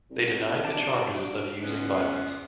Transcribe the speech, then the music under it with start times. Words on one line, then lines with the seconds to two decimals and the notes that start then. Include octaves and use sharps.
They denied the charges of using violence.
0.10 C2 D4 F#4
0.65 D5 A5
1.62 C#2 B3 C#4 B4 C6 D6 C7